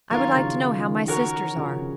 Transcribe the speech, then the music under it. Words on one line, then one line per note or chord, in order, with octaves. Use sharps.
I would like to know how my sisters are.
D#3 F#3 F4 A#4 C#5
C#3 F3
D#3
F3
D#3
F#4 A#4 C#5
C#3 F3